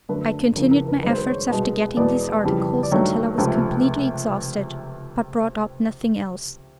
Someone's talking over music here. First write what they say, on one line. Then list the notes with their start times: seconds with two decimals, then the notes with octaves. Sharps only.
I continued my efforts, after getting these articles, until I was completely exhausted, but brought up nothing else.
0.09 F#2 D3 F#3 A3 B4
0.56 F2 C#3 E3 A#4
0.71 A#4
0.88 B4
1.02 F#2 D#3 G#3 B4
1.10 C5
1.17 B4
1.27 C#5
1.50 C2 B2 G#3
1.97 E2 B2 G#3 D5
2.44 F2 C#3 E3 G3
2.83 D5
2.91 G2 D#3 F#3 A3 C#5
3.38 C#2 C3 F3 A3